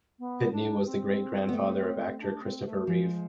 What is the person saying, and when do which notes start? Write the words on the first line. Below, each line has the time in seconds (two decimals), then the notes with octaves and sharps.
Pitney was the great-grandfather of actor Christopher Reeve.
0.19 B3
0.52 D4
0.86 C4
1.49 B3
1.53 A3
2.20 D4
2.42 C4
2.65 A3
2.87 F3 G#3